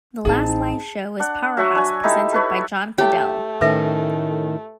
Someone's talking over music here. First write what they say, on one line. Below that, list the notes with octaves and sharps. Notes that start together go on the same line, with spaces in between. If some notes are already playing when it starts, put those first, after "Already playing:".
The last live show was Power House presented by John Caddell.
A1 C4 D#4 E4 G#4 A5
D4 F#5
F#3 E5 F#5 C#6
D4 G#5
D#4 E4 G4 A4
A4 B4 C#5
A3 E4 G4 C#5
A2 D#3 C#4 A4 B4 E5